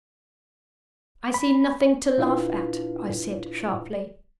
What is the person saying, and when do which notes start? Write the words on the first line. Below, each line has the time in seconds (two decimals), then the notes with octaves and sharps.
"I see nothing to laugh at," I said, sharply.
1.34 B5
2.18 A#2 D4 E4 F4 B4 F5